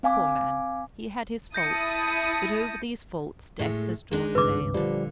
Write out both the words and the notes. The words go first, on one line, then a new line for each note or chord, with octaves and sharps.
Poor man; he had his faults, but over these faults death has drawn a veil.
C4 F5 G#5 D6
E4 A5 D#6 G6 A#6 C#7
A2 G#3 A3
G#3 D4 D#4
G#1 C#2 G2 B4 D6
A#2 D3 F3 G3